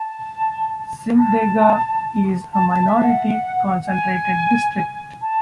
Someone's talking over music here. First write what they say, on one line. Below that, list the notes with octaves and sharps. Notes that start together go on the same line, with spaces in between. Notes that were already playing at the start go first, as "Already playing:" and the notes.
Simdega is a minority concentrated district.
Already playing: A5
A5
A5
A5
E5
F5
F#5
G#5
A5